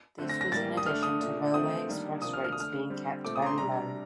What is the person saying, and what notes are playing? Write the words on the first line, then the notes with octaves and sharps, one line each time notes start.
This was in addition to railway express rates being kept very low.
D3 A3 C4
A#6
A#6
A2 G3 A#3 A6
D#6
D3 A3 D4 F6
D#6
A#2 A3 D4
D3 F3 A3 C4 D#6
D#3 G3 A#3 D4
C3 F3 A#3 D4 D#6
F6
F6
D#6
D3 A3 D4 F6
D3 G3 C4
A#2 A3 C4 D6
D#6
A#5
C6
C3 G3 D4 A#5